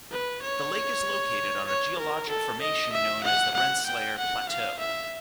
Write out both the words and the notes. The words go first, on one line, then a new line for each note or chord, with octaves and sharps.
The lake is located on a geologic formation known as the Rensselaer Plateau.
B4
C#5
C#5
A#4
A4
D#5
E5
F#5
F#5
G5
F#5
F5
E5